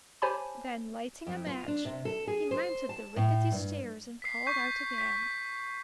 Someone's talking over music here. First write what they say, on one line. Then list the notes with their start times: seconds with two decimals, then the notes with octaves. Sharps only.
Then, lighting a match, he mounted the rickety stairs and called out again.
0.22 G4 C5 C#5 G#5 A5 B5
1.26 F2
1.47 F4
1.68 D4
1.85 C3
2.05 A4
2.27 G#4
2.51 C5
2.89 A5
3.16 A2
3.52 G2
4.22 B6 C7
4.46 C#6 G6 B6 C7
4.98 B6